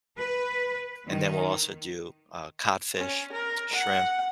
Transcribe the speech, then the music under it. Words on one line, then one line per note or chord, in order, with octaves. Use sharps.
and then we'll also do, uh, codfish, shrimp,
B4
D#3
C#4
A#4
F#5